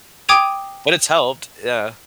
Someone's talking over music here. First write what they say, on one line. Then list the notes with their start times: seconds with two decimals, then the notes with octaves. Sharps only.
But it's helped, yeah.
0.29 G5 D6 D#6 G#6 D#7 F7